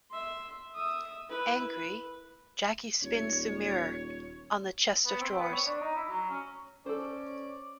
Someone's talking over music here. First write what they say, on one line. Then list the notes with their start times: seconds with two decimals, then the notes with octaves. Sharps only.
Angry, Jackie spins the mirror on the chest of drawers.
0.11 E5 C6
0.75 E5 D#6
1.29 E4 B4
1.65 B4
3.02 D#1 C#5
5.06 B3
5.21 C4
5.40 B3
5.53 C#5
5.66 D4
5.81 D#4
5.96 E4
6.08 F#3
6.29 C#4
6.86 C#4 A4 C5 D5